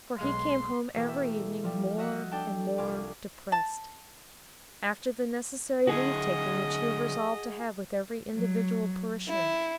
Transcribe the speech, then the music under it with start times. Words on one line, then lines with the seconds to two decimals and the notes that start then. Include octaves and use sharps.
For he came home every evening more and more depressed, after the necessary leave-taking which he had resolved to have with every individual parishioner.
0.19 B1 G#3 F5 C6
0.95 B2 E3 A3 A#3 G4
1.09 E5
1.64 F3 G3
1.98 F#4 D#5 E5 F#5
2.31 D4 A4 G5 A5
2.78 C2 F4 G#5 D6
3.52 A5
5.87 D3 F#3 F#4 G#4 D#5
8.35 F#3
9.27 E4